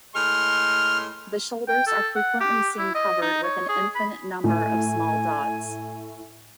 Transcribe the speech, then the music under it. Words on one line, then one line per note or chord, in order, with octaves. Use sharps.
The shoulders are frequently seen covered with an infinite number of small dots.
A2 G#3 C6 F6
G5
A4
F#5
G4
E4
D#5
D#4
C#5
G#4
B5
A2 G#5